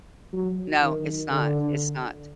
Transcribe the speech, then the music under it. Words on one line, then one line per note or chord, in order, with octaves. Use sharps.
No, it's not, it's not.
F#3
D#3
D3